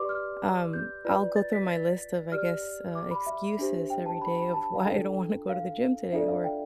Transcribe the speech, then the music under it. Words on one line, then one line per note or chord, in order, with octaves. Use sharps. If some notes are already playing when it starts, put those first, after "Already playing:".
Um, I'll go through my list of, I guess, uh, excuses every day of why I don't wanna go to the gym today, or
Already playing: G4 B4 D5 C6 D6
F6
G6
F4 B4 D5
A6
B6
A6
G4 D5 F6
D6
B5
E5
D4 G4 C5
G5
A5
B5
B5
A5
F5
D4 F4 A4 G5
F5
D4 F4 A4 D5 E5
F5
G5